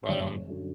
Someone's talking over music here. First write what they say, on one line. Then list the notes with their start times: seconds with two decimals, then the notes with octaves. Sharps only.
but, um
0.09 F#1 C#5
0.48 F#2 D3 F#3